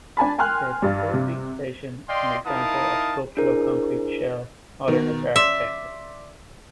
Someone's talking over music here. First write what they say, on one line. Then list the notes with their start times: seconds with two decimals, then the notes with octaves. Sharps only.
The Dubulti Station is an example of sculptural concrete shell Modernist architecture.
0.17 D4 G#5 A5 B5
0.38 G5 G#5 C6 F6 F#6
0.82 G2 G3
1.14 C3
2.09 D5 D#5 F5 G5 C6
2.45 D#4 E4 A#4 F5 A5 D#6
3.37 D4 E4 G#4 A#4 C5
4.88 B2 D#3
5.36 D5 E5 C6